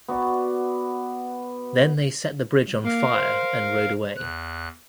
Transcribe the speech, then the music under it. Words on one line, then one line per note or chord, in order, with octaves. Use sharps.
Then they set the bridge on fire and rode away.
B3 F#4 D5
A#3 A#4 F5
C5
E2 F#6